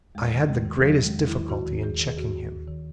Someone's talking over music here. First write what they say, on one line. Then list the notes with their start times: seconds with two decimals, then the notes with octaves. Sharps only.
I had the greatest difficulty in checking him.
0.15 E2 G#3
0.32 D#3
0.49 E2 G#3
0.65 D#3
0.83 E2 F#3
0.99 D#3
1.05 G#3
1.16 E2
1.27 E4
1.33 D#3
1.50 D#2 F#4
1.66 D#3
1.83 D#2 G#4
2.00 D#3
2.07 G#4
2.17 D#2 F#4
2.34 D#3
2.51 D#2
2.67 D#3